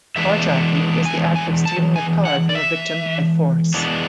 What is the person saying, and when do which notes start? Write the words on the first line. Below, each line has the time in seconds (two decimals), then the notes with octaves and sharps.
Carjacking is the act of stealing a car from a victim by force.
0.16 E3 G#3 B3 D4 E5
1.05 G#5
1.36 G#5
1.65 A5
1.96 G#5
2.25 F#5
2.49 D5
2.55 E5
3.74 E3 G#3 B3 D4